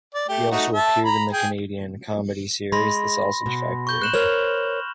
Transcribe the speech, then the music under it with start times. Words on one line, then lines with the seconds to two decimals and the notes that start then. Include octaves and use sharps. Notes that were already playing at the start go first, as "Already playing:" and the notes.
He also appeared in the Canadian comedy series "The Sausage Factory".
0.14 D5
0.28 A3 G4
0.51 A3 D#4 F#4
0.73 E5 A5
1.05 A#5 B5
1.32 G#4 G5 G#5
2.72 G#3 B5 C6 A#6
3.46 B2
3.87 C#6 G6 G7
4.02 F#6 E7 F#7
4.14 A#4 C5 C#5 F6 F7